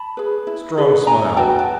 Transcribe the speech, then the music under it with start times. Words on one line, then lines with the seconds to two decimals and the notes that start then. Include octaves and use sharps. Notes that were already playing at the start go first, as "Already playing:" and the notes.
Strong smiled.
Already playing: A5 B5
0.17 G#4 B4
0.47 E4
0.77 G#4 B4
1.07 D4 G#5 A#5
1.37 F#4 B4 G5 A5
1.59 A5